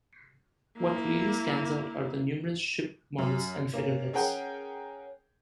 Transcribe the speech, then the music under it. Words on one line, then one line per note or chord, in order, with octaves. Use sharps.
What really stands out are the numerous ship models and figureheads.
A#3 E4
F#2
A#3 C#4
C#4 G#4 A#4 F#5 G5